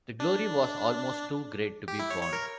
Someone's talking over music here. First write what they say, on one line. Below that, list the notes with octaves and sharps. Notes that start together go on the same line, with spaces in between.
The glory was almost too great to be borne.
D4
G4
E4
C#5
C#5
A#4